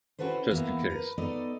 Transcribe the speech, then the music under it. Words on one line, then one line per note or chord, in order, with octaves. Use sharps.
just in case.
C#4 E4 F#4 A4 B4 C5
E2 E3 A#3 B3 E5 F5
A#4 B4
B3 D#4 A4 D5 D#5